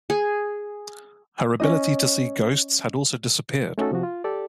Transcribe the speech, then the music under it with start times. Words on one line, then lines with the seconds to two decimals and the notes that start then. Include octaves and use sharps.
Her ability to see ghosts had also disappeared.
0.10 G#4
1.60 C#4 D#4 D#5
3.78 A3 C#4 D#4 F#4 A4
3.91 C3 F3 F#4
4.03 F4
4.24 G4 A4 D5